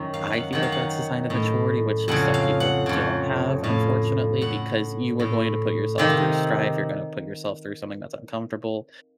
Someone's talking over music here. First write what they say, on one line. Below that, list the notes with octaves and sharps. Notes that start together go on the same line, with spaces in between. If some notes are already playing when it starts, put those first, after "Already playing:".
I feel like that's a sign of maturity, which just some people don't have unfortunately, because you are going to put yourself through strife, you're gonna put yourself through something that's uncomfortable,
Already playing: F#2 D#3
F5
F5
F#5
F#2 D#3 F#5
F5
F#5
A2
F2 C#3 F#5
F5
F#5
F2 C#3
A2 F5
A2 F#5
A2
C3 D#3 F5